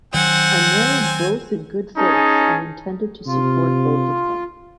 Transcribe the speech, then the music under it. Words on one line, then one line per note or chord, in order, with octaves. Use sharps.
I married both in good faith and intended to support both of them.
D#3 F#3 C4 F#5 G#5
C#4 D#4 G#4 A5
C3 F4